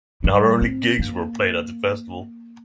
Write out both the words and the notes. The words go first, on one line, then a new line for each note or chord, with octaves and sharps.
Not only gigs were played at the festival.
G3
C4
A#3